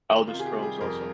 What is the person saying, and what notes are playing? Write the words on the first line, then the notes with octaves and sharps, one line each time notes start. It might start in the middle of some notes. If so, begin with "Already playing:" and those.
Elder Scrolls, also.
D#3
F4
C3
G#4
G4
G3
G#4
F2 A#4